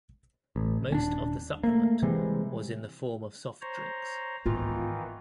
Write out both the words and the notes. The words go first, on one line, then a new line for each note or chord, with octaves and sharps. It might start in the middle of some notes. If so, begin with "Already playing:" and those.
Most of the supplement was in the form of soft drinks.
A1
D#1 C#4 D4
A3 A#3
C3 E3 G3 G#3
C5 C#5 A#5
G#2 D#3 E3 B3 F4